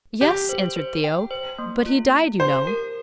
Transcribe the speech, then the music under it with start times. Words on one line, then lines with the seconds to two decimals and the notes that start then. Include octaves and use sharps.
"Yes," answered Theo; "but he died, you know."
0.21 G4 G5
0.49 C5
0.76 C5
1.04 G5
1.31 C5
1.59 A#3
1.86 F4
2.12 F4
2.40 G4 C5
2.67 A#4